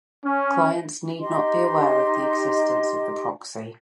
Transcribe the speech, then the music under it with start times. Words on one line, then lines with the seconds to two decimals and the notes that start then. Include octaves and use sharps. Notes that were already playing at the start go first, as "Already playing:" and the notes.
Clients need not be aware of the existence of the proxy.
0.25 C#4
1.20 D#4 G4 D#5 C6